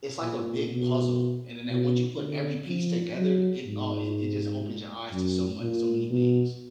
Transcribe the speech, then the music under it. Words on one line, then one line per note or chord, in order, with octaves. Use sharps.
it's like a big puzzle, and then that once you put every piece together, it, uh it it just opens your eyes to so mu so many things.
A#2
B2
B2
D3
F3
F#3
G#2
F#2
A#2
B2